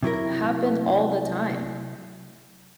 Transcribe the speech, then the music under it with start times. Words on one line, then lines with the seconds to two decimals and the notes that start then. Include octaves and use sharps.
happen all the time.
0.03 C3 F#3 E4 A#4